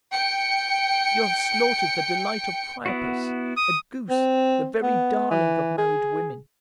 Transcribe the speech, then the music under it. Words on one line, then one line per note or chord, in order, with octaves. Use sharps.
You have slaughtered the delight of Priapus, a goose, the very darling of married women!
G5 C#7
B3 E4 F#4
D#6
C4
B3
E3
G#4